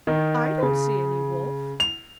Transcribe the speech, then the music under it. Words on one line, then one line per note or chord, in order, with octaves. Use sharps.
'I don't see any wolf.'
D#3
C#3
F7